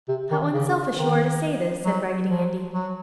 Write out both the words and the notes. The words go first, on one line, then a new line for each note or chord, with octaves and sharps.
"How unselfish you are to say this!" said Raggedy Andy.
C3
D#3
C#3
D#3
F#3
F3
F#3